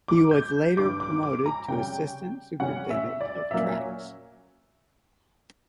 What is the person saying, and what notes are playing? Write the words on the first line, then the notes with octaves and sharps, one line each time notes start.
He was later promoted to assistant superintendent of tracks.
D6
G6
G2 D3 G3 D6
D6
D6
A#5
C#3 G3 C#4 G5
C#3 G3 C#4 F#5
E5
D5
A#2 F#3 A#3 C#4 E5